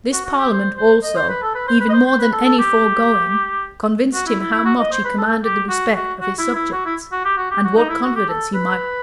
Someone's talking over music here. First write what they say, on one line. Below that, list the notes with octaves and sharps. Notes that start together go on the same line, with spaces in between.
This parliament also, even more than any foregoing, convinced him how much he commanded the respect of his subjects, and what confidence he might repose in them.
F#4
F#4
G4
C5
C5
D#5
C5
B4
A4
B4
C5
B4
D#5
C5
C5
B4
A4
A4
G4
F#4
E4
E4
E4
F#4
D#5
C5
B4
A4
G4
F#4
F#4
F#4
E4
E4
F#4
E4
F#4
G4
F#4
G4
F#4
D#4
E4
F#4
G4
A4
B4